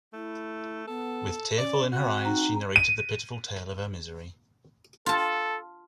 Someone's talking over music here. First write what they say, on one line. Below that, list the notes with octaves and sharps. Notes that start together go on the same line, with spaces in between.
With tearful in her eyes she narrated the pitiful tale of her misery.
A3 E4
B3 A4
C#4 D5
C4 F#4
D#4
D#7
F4 A4 A5